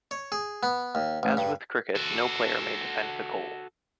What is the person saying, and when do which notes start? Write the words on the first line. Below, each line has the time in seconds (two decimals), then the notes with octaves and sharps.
As with cricket, no player may defend the goal.
0.11 C#5
0.32 G#4
0.63 B3
0.95 D#2
1.23 A1
1.37 G2
1.95 F#4 A4